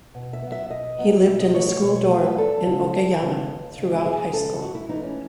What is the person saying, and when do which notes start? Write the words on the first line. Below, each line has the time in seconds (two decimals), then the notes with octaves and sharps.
He lived in the school dorm in Okayama through out high school.
0.15 B2
0.33 E5
0.42 F#3 B3
0.52 E5
0.70 B2 D#5
0.98 F#3 B3
1.26 B2 E5
1.40 D#5
1.54 F#3 A3 C#5
1.68 C#5
1.82 B2 C#5
1.95 C#5
2.10 F#3 A3
2.24 B4
2.38 E2 A4
2.66 C#3 G#3 B3
2.94 E2
3.21 C#3 G#3 B3
3.49 D#2
3.77 C#3 G#3
4.05 D#2 G#4
4.33 C#3 G#3 A4
4.61 G#2 F#4
4.75 E4
4.89 E3 A3 D#4
5.03 C#4